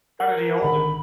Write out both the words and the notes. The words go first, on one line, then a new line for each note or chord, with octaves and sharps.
How did he hold it?
A#4 F#5
G#1 D3 D#3 B5